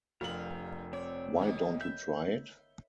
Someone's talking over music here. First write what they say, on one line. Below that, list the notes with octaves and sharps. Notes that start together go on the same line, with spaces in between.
Why don't you try it?
F1 G2 A#4 F5 F#7
C4 C#5 D5
B2 D#3 A#3
E5 G6